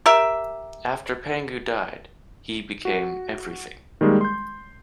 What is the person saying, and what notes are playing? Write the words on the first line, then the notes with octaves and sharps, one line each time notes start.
After Pangu died, he became everything.
G4 A#4 E5
F#4
D#3 G3 G#3 A#3
C6 G6